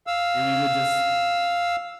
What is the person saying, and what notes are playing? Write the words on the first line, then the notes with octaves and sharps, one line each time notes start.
and we would just
F5 E6